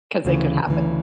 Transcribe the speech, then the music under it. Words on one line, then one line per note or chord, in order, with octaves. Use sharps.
'Cause it could happen.
D2 C#3 E3
D2 C#3 E3